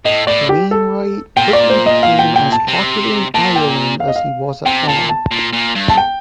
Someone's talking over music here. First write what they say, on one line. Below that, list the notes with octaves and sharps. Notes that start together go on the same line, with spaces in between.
Wainwright quickly became as popular in Ireland as he was at home.
A2 D#5
A2 D5
G4
A4
A#2 G5
D5
C5
D#5
F5
G5
G5
A5
C3
A#2 A5
G5
F5
D#5
F5
C3 G5
A#2 A5
A5
A#2
A#2
G2
A5
G5